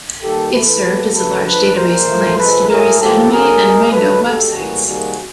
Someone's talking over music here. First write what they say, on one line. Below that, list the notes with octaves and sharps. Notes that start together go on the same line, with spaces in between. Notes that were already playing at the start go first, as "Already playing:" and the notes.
It served as a large database of links to various anime and manga websites.
D#3 G3 A#3 G4 A4
A2 E3 A3 A4 B4
B2 G3 A#3
C#3 F#3 A3 A4 B4
D3 F3 G#3 A4 B4
A#2 F3 G#3 A#4 C5
A2 F3 A3
C3 F3 G#3 A4 B4
A2 F#3 A3 G#4 A#4
A2 F3 A#3 G4 A4
D3 F#3 A#3 G#4 A#4
B2 G#3
D#3 F#3 A3 A4 B4
B2 G#3 G4 A4
A2 E3 G3 A#3 F#4 G#4
C3 D#3 G3 A#3 F#4 G#4